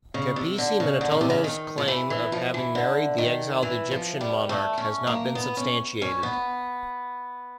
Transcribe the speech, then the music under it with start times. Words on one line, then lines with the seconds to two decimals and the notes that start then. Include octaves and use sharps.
Capece Minutolo's claim of having married the exiled Egyptian monarch has not been substantiated.
0.14 C#3
0.36 C3
0.58 D3
0.80 C#3
1.01 D3
1.11 C#3
1.21 C3
1.30 C#3
1.44 D#3
1.78 F3
1.88 E3
2.10 E3
2.32 F3
2.54 E3
2.75 D3
3.18 D#3
3.63 E3
3.91 F3
4.21 G3
4.49 A3
4.78 C#4
5.07 A#3
5.35 B3
5.57 C#4
6.02 C#4
6.23 B3